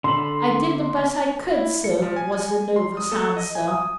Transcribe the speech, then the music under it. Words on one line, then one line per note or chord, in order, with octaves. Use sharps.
"I did the best I could, sir," was the nervous answer.
D3 A4 B5 C6
E4
C#7
F3
G#5
G#5
C6
D#6
A4
D#5
G#5
D#6